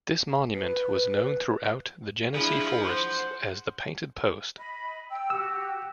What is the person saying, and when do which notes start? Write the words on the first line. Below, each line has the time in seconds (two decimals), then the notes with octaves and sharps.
This monument was known throughout the Genesee Forests as 'The Painted Post.
0.54 B4
2.35 F3 D4 E4 G#4 B5
2.85 C5 F#5
4.56 D#5 B5
5.09 G5 E6
5.30 F#4 G4 F#5 E6